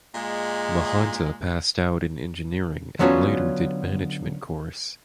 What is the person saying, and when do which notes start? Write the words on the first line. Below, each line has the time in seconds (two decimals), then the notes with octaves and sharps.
Mahanta passed out in engineering and later did management course.
0.15 A#2 G#3
2.99 D3 F#3 B3 C#4 F4 F#4